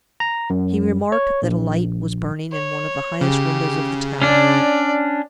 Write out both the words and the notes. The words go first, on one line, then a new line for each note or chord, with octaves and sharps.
He remarked that a light was burning in one of the highest windows of the tower.
A#5
F#2
C#5
A#1
C#5
C#3 G4
C#4 D4 D5